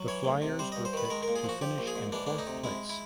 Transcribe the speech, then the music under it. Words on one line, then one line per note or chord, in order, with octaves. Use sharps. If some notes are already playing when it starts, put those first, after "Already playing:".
The Flyers were picked to finish in fourth place.
Already playing: F#3
E3 C#5
D2
C3
G3 C5
D#5
G2
C5
D#3 B4
B4
G#3 A#4
A#4
A#2
G#4
F3 F#4
F3 G4
A#1
G#4
G#2
E3 D4
D2 D4
D#4
C3
G#3 E4
E4